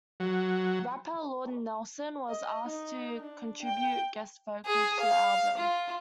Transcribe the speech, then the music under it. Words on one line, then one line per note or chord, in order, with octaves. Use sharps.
Rapper Lord Nelson was asked to contribute guest vocals to the album.
F#3
D#5
D#4
D4
G5
G#4
F5
F4